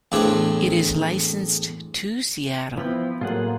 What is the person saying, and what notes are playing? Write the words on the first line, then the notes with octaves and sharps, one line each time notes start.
It is licensed to Seattle.
E2 A2 C4 D4 C#5
F3 B3 C4 E4
A2 F#3 A#3 F4 G#4 F#5